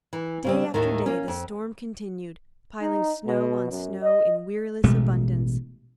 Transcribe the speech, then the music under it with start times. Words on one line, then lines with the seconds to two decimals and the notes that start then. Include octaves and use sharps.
Day after day the storm continued, piling snow on snow in weariless abundance.
0.13 E3
0.44 C#3 G3 C4
0.74 D#2 A2 D#3
1.06 A#3 C#4
1.28 F2
2.80 D#4
3.25 B2
3.70 F#2
4.02 D#5
4.84 A1 B2 G#3 A3